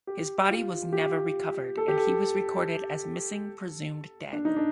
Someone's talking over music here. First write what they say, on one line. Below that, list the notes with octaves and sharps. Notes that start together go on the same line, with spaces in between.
His body was never recovered and he was recorded as missing presumed dead.
G4
F4
G4
A4
G4
A4
D4
D#4
D4